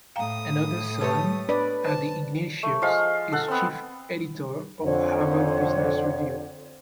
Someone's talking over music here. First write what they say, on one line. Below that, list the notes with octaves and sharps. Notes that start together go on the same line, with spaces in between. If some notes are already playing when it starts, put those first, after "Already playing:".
Another son, Adi Ignatius, is Chief Editor of Harvard Business Review.
A2 F5 G5 A#5 D#6
A3 G4 B4 C#5
D4 B4 D5
C5 A5
A3
F3 G#3 F5
A4 F#5
B3 C4
F2 D3 C5 C#5 F#5